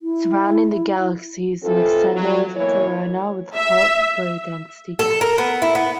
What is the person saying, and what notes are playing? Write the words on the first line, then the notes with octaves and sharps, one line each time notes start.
Surrounding the galaxy is an extended corona with hot, low density gas.
E4
E3 C4 F4 A4
F#3
B2 E3 A#3 E4 C#5
E5
A4
A#4
B3
E4
B3